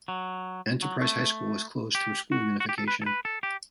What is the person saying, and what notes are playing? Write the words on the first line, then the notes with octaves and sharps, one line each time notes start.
Enterprise High School was closed through school unification.
F#3
F#3
A3
G4
F#4
F#4
G4
A4
B4
A4
B4
A4
G4